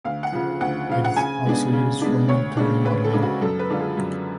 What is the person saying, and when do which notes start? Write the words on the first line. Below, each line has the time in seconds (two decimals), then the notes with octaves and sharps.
It is also used for military modelling.
0.05 D2 F5
0.23 F#5
0.32 C#3 F3
0.61 D2 F#5
0.89 C#3 F3 F5
1.04 F#5
1.16 C#3 G#5
1.46 G#3 B3 D4
1.73 C#3
2.01 G#3 B3 D4
2.29 D2 C#5
2.57 C#3 G#3 D4
2.85 D2 B4
3.04 A4
3.14 C#3 G#3 D4
3.23 F#4
3.41 F#2 A4
3.59 B4
3.69 D3 G#3 D4 F4
3.79 G#4
3.97 F#2